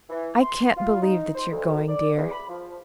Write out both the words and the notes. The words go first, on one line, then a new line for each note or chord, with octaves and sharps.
I can't believe that you are going, dear!
E3
C6
F4
D#4
C5
D2
D5
E2
B5
F3